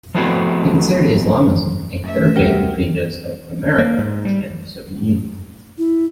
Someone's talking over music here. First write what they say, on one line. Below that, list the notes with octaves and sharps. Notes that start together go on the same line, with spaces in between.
They considered Islamism a third way between those of America and the Soviet Union.
F3 A3 B3 C4 E4 F#4
F#2 A3 E5
D#2 C3 G3 F#4 A#4 F#5 G5 F6
A#3
G#2
G3
E4